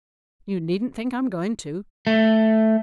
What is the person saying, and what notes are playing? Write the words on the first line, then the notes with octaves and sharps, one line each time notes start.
You needn't think I'm going to.
A3